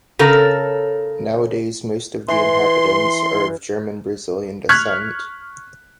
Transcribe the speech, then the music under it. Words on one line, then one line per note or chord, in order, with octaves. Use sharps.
Nowadays, most of the inhabitants are of German-Brazilian descent.
C#3 A4 A#4
E3 C6
C#6 F6 F#6 G#6 B6